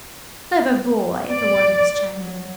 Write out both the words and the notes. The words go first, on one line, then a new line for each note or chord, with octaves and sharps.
"Clever boy!", the Wardeness chimed in.
D5
F#3